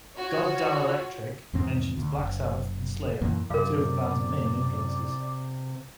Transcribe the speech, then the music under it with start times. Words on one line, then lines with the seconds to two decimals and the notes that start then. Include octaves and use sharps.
"Goddamn Electric" mentions Black Sabbath, and Slayer, two of the band's main influences.
0.16 F4 F#4 C#5
1.53 E2 G#2 D#3 C4
1.98 D2
2.19 F#1
3.21 F#2 A#2 E3 A#3
3.50 F#2 C3 A#4 D5 F5